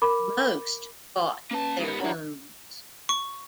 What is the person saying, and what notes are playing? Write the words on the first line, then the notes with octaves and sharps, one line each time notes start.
Most bought their homes.
A#4 B5 D6
A#3 C#4 B4 A5 A#6
G#2 B3 G4 A#4
D#3 F#3 D4 E4 B5
C#6